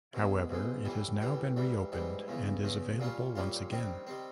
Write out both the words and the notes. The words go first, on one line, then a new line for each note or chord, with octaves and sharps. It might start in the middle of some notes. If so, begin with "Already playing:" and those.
However it has now been reopened and is available once again.
C2 B2 G#3
C2 B2 G#3
A2 E3 G3
A2 E3 G3
G#2 E3 G3
G#2 E3 G3
E2 C#3 E3
E2 C#3 E3
A#2 G3 A#3 C#4 F4
A#2 G3 A#3 C#4 F4
D#3 G3 C4
D#3 G3 C4